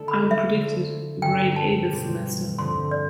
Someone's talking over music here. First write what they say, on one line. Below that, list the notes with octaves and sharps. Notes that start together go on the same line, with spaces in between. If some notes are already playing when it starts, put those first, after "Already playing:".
I'm predicted a grade A this semester.
Already playing: D3 A3 D4 E4 A4
B5
E5
D3 F3 A3
G2 D3 F3 G5
A5
B2 G3 C4 G4
G2 D3 F3 A3 C4 C6
D5